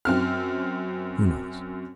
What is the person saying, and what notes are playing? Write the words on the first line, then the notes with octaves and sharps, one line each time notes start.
Who knows?
F#2 C4 F6